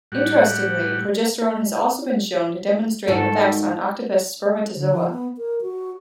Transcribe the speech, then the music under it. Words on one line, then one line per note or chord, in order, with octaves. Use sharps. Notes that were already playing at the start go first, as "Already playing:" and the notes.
Interestingly, progesterone has also been shown to demonstrate effects on octopus spermatozoa.
A2 G3 F#4
G#2 D#3 F#4 A4
D3
F3
B3
A#4
F#4